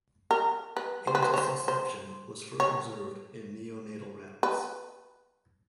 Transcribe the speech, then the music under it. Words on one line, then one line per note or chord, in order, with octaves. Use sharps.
Intussusception was first observed in neonatal rats.
A#4
B4
C5
B4
C5
C#5
C5
C5
C#5
B4